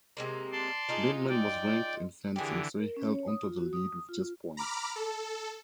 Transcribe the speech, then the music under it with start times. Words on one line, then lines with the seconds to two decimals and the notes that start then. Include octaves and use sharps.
Lindman was ranked in fencing, so he held onto the lead with just points.
0.17 C3 G#3 A#3
0.52 D5 A5 C6
0.89 G#3 D#4 F4
1.28 D5 G5
2.36 D3 E3 G4 G#4
2.79 A#4
2.96 C#4
3.12 C#5
3.27 D#6
3.43 F4
3.58 F#4
3.73 D#6
4.09 F4
4.57 A#5 B5 D6 F6
4.96 A4